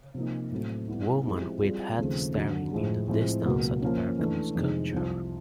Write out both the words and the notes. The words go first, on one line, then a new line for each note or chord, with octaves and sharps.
Woman with hat staring in the distance at park with sculpture.
C3 F3 A#3 D#4
A2 F#3 A3 C4
G3 B3 E4
F3 G#3 C4 E4 G4
G3 C4 F4 G#4
D#2 C#3 F3 A3 C4
D#2 D3 F#3
A2 F3 G#3
A2 F3 G#3 C4 E4
C#2 B2 F#3 A#3
F3 A#3 C#4
E3 A3 D4
F2 C3 D#3 G#3
C2 C3 F3